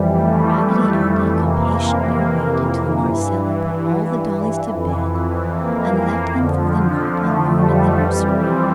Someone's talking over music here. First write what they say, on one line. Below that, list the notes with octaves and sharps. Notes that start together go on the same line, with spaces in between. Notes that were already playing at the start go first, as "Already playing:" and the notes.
Raggedy Andy could patiently wait until Marcella put all the dollies to bed and left them for the night, alone in the nursery.
Already playing: F2 E3 G3
A3
F2 C3 E3 A#3
G2 E3
F2 E3
A#3
F2 D3 F3
A3
G3
F2 E3 G3
C4